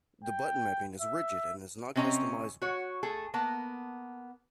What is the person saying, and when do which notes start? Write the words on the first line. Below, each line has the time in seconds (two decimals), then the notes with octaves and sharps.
The button mapping is rigid and is not customizable.
0.24 G5
1.01 E5
1.96 C3 C4 C#4 D#5 A#5
2.62 F#4 C#5
3.03 A3 G#4 A4
3.34 A#3 B3 A5